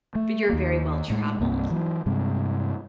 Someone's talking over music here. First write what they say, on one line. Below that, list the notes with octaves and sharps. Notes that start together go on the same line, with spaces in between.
you're very well traveled.
A3
D#2 A#3
A2 G#3
C2 G2 A#3 C4
E3 F#3
G2 C3 G#3